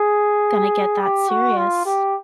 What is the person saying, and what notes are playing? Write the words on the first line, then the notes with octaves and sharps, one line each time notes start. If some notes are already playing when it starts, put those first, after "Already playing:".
gonna get that serious.
Already playing: G#4
G4
F#4
F4
G4